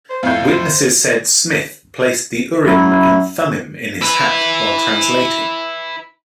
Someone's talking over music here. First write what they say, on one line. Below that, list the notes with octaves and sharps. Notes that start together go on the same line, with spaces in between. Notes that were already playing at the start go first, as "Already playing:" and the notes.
Witnesses said Smith placed the Urim and Thummim in his hat while translating.
C5
F2 A2 F5 G6
C5
F#2 E4
E4 B4